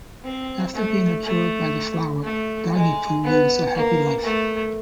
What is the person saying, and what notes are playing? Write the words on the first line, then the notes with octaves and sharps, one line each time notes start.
After being absorbed by the flower, Doggy Poo lives "a happy life".
C4
A3
A3
A3
G#3
B3
A#3
A3